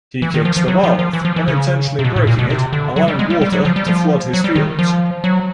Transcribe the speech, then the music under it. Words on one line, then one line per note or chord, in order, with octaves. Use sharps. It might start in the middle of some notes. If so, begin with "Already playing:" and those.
He kicks the valve, unintentionally breaking it, allowing water to flood his fields.
E3
D#3
F3
F3
F#3
F3
F3
E3
F3
E3
C#3
C3
B2
A2
A#2
B2
C3
D3
F#3
G3
G#3
G3
G3
F#3
F3
G3
F3
F#3
G3
D#3
F3
F#3